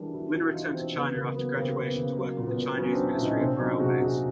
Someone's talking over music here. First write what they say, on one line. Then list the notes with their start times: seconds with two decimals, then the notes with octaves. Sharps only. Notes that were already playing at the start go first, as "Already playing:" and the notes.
Lin returned to China after graduation to work with the Chinese Ministry of Railways.
Already playing: E3 G3 D4 E4 G#4 A#4
0.13 E3 E4 F#4
0.33 E3 E4 F#4
0.53 E3 D#4 F4
0.64 D#4
0.74 E3 C4 D4
0.94 C#3 B3
1.14 C#3 A#3
1.34 F#3 B3
1.55 C#3 A#3 C4
1.75 C#3
1.86 B3
1.96 C#3
2.16 F#3 A#3
2.37 A#2
2.47 B3
2.57 A#2
2.77 F#3 B3 C#4
2.93 C4 D4
2.98 F#3
3.08 D4 E4
3.18 A#2 C#4 D#4
3.38 C3 C4 D4
3.58 F#3 C#4 D#4
3.79 C3 F#4 G#4
4.00 C3 F#4 G#4